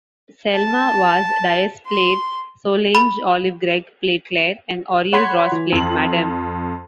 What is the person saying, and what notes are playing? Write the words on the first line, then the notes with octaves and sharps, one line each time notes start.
Selma Vaz Dias played Solange, Olive Gregg played Claire, and Oriel Ross played Madame.
A5
C6
B5
C#5 F#5 B5 C6 G#6 B6
E3
F2 F#7